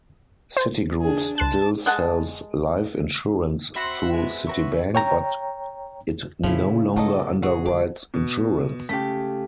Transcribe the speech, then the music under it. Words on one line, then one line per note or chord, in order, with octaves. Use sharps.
Citigroup still sells life insurance through Citibank, but it no longer underwrites insurance.
C5
D4 G#4
C#2 A5 C6 F#6
G#3 F#5 A5
C4 F#4 E5 F#5 B5 C6
G#3 B3
C#4 F#4 A#4 B4 C#6
C#5 G5 A#5
A#2 C#3 F3 E4
A2 F#3 A4 D#5
F#4 G#4
D3 G3 D6
B2
C#3 A3 G4 B6